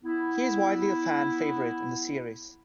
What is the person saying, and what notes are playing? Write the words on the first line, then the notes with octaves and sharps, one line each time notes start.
He is widely a fan favorite in the series.
B3 E4